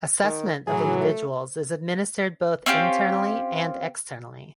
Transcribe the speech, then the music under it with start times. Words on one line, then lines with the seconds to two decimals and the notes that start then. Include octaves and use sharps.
Assessment of individuals is administered both internally and externally.
0.24 D#3
0.67 A2 E3 F#3 G#4
1.01 A3
2.66 C4 C#4 F4 G4